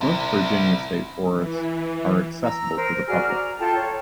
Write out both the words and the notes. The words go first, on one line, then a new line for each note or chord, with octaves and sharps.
Most Virginia state forests are accessible to the public.
C3 E4
E3
A#5 E6
A#4 C5
F#4 G#4 D5 F6
A#5
F4 A4 G5 A5
A4 C#5